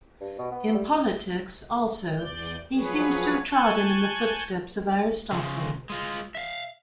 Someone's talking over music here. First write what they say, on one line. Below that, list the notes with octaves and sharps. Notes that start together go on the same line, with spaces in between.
In politics, also, he seems to have trodden in the footsteps of Aristotle.
G2
B2
B3
G3
E2 D5 G6
F3 F#3 G#4 B4 C#5
G#5 A5 C#6 F#6 G6
C#3 F3
G#3 F4
E5 F5